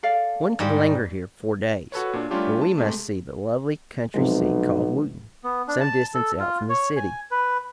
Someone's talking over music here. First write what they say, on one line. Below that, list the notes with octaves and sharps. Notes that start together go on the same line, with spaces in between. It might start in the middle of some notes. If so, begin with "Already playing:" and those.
One could linger here for days, but we must see the lovely country-seat called "Wootton," some distance out from the city.
A4 D5 F5
G#2 G3
F#4 A4 B4 C#5
A#2 D4
G3 A3 C#4 D4 F4 G4
A5
C3 G#3 A3
B1 C3 F3 G#3
B3
D4
A5
A4
F4
C#5
G#5
B4